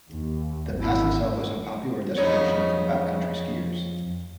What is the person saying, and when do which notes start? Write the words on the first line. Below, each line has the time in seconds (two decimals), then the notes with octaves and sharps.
The pass itself is a popular destination for backcountry skiers.
0.11 D#2
0.74 G#1 E4
2.18 F2 C#3 B3 D#4 C#5